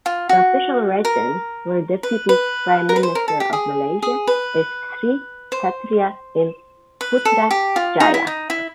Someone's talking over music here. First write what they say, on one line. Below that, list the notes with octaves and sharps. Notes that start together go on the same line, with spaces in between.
The official residence for Deputy Prime Minister of Malaysia is Sri Satria in Putrajaya.
F4
F#4
A#4
B4
B4
A#4
B4
C5
A#4
A4
G4
G#4
G#4
B4
C5
B4
A4
G4
F4
D#4
E4
D#4
E4